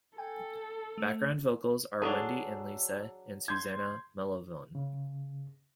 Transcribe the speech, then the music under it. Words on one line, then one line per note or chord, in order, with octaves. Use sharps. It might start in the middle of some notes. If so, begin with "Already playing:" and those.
Background vocals are Wendy and Lisa, and Susannah Melvoin.
A4 G5 G#5
A3
F#3 D4 G#4 A4
C6 G6 G#6
C#3